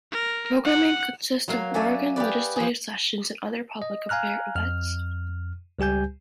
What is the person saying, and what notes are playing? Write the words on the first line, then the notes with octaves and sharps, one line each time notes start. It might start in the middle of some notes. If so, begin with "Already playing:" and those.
Programming consists of Oregon legislative sessions and other public affairs events.
A#4
F#5
F#3 A#3 F5
C#4 D5 E5 G#5
G4 G#4 B4 D5
F3 G#4
D#5
F5 G#5 A#5 F6 F#6
F2 F6
C#2 G3 G4 G#5 G6